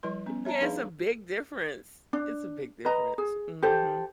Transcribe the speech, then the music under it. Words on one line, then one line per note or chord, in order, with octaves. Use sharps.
Yeah, it's a big difference. It's a big difference. Mhm,
F3 G3 E4 B4 C6
B3 C#4
C#5 E5 A5 A#5
F3 D4 D#4 G#4 B4 F5
D4
B4 D#5 A#5
G#4
G4 A4 C5